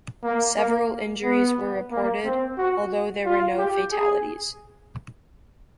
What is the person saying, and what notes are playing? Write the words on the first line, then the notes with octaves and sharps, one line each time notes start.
Several injuries were reported, although there were no fatalities.
A#3
A#3
B3
A#3
C4
F#4
F4
G4
G#4